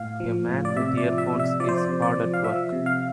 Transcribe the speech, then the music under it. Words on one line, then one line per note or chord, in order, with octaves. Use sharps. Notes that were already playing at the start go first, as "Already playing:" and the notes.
A man with earphones is hard at work.
Already playing: A2 F5
F3
A2
D5
C3 E5
D5
F3
E5
C3
E5
F3 D5
C5
D5
C3
D5
F3
F5
F3 E5
C3
F5